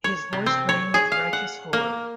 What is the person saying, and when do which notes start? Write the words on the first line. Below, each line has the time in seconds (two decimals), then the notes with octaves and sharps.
His voice rang with righteous horror.
0.04 C#5
0.33 C3
0.46 C4
0.69 C#5
0.94 G#4
1.12 F5
1.33 F#5
1.73 A#3